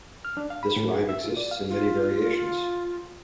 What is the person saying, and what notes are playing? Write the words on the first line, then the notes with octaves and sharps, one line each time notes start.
This rhyme exists in many variations.
F6
D4
F5
B5
A2
G#4
E5
F4
D5
F5
F4